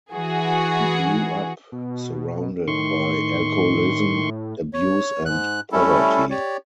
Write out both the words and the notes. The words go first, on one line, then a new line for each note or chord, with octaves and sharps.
He grew up surrounded by alcoholism, abuse and poverty.
E3 F#4 G#4
B2
A2 D#3 C6 C#6
C#5
G#2 F#6
G3 A3 C#4 E4 A4
G4 C#5 D5